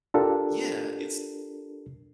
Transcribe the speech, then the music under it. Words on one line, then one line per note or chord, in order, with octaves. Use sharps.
Yeah, it's
D4 F4 G4 A4 A#4